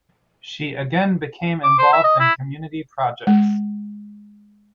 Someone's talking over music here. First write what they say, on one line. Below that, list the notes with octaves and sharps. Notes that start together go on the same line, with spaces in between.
She again became involved in community projects.
D6
C5
E5
D#5
E4
G#3